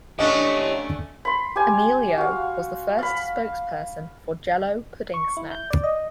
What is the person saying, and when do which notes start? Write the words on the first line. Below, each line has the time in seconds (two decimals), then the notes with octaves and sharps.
Amelio was the first spokesperson for Jell-O Pudding Snacks.
0.19 A3 C#4 D4 G4 C#5 D#5
1.25 B5 C6
1.56 G4 G#5
2.18 F#4 F5
2.98 F5 B5
5.14 C#6
5.37 E4
5.51 G6
5.71 D5
5.84 D#5